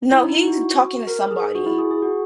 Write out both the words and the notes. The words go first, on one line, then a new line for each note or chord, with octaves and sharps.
No. He's talking to somebody.
E4
D#4
E4
F#4
A#4
G#4
F#4
E4
G#4
G#4
F#4